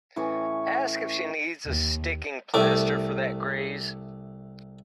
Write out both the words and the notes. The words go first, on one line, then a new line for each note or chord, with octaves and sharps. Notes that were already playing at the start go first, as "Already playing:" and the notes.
Ask if she needs a sticking plaster for that graze.
A2 E3 C#4 C#5
D#2
C2 A3 D6